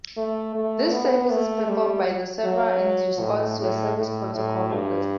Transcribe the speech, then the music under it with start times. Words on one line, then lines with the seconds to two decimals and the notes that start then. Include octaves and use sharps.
This service is performed by the server in response to a service protocol request.
0.17 A3
0.55 A3
0.92 B3
1.31 A3
1.69 G3
2.44 F#3
3.20 A2
3.59 A2
3.97 A2
4.34 A2
4.73 G2